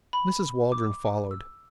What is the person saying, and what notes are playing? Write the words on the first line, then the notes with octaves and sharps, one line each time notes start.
Mrs. Waldron followed.
B5
D6
E6